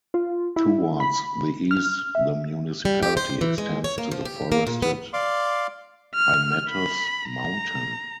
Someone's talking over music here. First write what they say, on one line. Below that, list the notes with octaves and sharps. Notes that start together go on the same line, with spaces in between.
Towards the east the municipality extends to the forested Hymettus mountain.
F4
E4
B5
F6
E5
G3
G4
C5
E3
G#3
C#5
A#3
F3
G4
A#3
A#2
B3
D5 F5 C6 D6
F6
B5
A#5